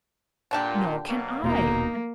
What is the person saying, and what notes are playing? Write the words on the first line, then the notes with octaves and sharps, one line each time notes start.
"Nor can I."
A#2 D3 D4 G4
B2 F#3 A#3
D#1 B2 A#3 D#4 A#5